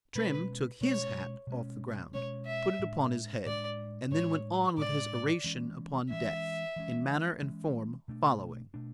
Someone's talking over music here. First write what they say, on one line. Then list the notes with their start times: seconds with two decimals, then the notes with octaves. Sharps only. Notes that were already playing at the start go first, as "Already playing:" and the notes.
Trim took his hat off the ground,--put it upon his head,--and then went on with his oration upon death, in manner and form following.
0.15 B2 G#3 C#4 B4
0.81 B2 G#3 C#4 C#5
1.47 B2 G#3 C#4
2.13 B2 G#3 C#4 C#5
2.46 E5
2.79 A2 G#3 D4
3.46 A2 G#3 D4 D5
4.11 A2 G#3 D4 C#5
4.78 A2 G#3 D4 D5
5.44 E3 G#3 C#4
6.10 E3 G#3 C#4 E5
6.76 E3 G#3 C#4
7.42 E3 G#3 C#4
8.08 B2 A3 D4
8.74 B2 A3 D4